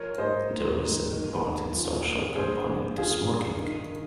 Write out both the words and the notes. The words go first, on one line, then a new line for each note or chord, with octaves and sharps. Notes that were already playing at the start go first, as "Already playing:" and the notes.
There is an important social component to smoking.
Already playing: F3 A#4 C#5
G#2 C5 D#5
G#2
G#2
D#3
D#3
F3
A#2
G2 G#4 C5
G2
D#3 F4 G#4
G2
D#3
D#3